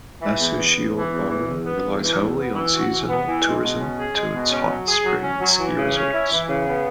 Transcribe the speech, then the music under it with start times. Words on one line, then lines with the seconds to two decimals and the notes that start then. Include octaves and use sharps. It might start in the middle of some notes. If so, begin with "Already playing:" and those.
Nasushiobara relies heavily on seasonal tourism to its hot spring and ski resorts.
0.21 E3
0.39 E2
0.57 B3
0.75 E2
0.94 E3
1.11 E2
1.29 E3
1.47 E2
1.65 B3
1.82 E2
2.00 E3
2.18 E2
2.36 B3
2.54 E3
2.72 F#4
2.90 E3
3.07 B3
3.26 E3
3.44 G#3
3.62 B2
3.80 C#4
3.98 G#4
4.16 G#3
4.34 B2
4.52 C#4
4.69 F#3
4.87 G#4
5.05 F#3
5.23 C#4
5.41 F#3
5.59 E3
5.77 C#3
5.95 C#4
6.12 E4
6.31 E3
6.49 C#3
6.67 B3